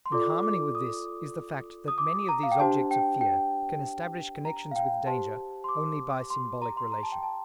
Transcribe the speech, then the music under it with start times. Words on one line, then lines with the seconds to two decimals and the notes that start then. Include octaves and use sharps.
In harmony with this is the fact that many of these objects of fear can establish connections with danger only by symbolic relations.
0.06 C6
0.12 F4 A4 D5 D6
0.43 D6
0.75 D#6
1.88 D#6
1.98 D6
2.29 A#5
2.43 F5
2.52 G5
2.60 D4 G4 C5 A5
2.91 G5
3.21 G5
4.45 A#5
4.71 F5
4.76 G5
5.06 G4 C5 A5
5.64 C6
5.69 D6
6.30 C6
6.46 C6
6.62 A#5
6.73 A#5
6.77 C6
6.92 A#5
7.03 A5
7.12 G5
7.23 A5